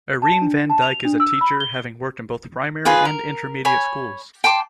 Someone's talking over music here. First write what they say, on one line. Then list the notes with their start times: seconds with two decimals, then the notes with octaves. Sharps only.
Irene van Dyk is a teacher, having worked in both primary and intermediate schools.
0.22 A5
0.42 D4
0.70 A5
0.82 F7
1.05 D4
1.20 E6
1.41 B5
1.60 G7
2.85 F4 G#4 B4 G#5
3.05 A#4
3.65 C#5 G#5 B5
4.44 G5 A5 C6 D6